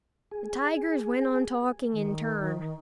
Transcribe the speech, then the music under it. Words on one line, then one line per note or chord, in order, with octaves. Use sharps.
The tigers went on talking in turn.
G#4
D#3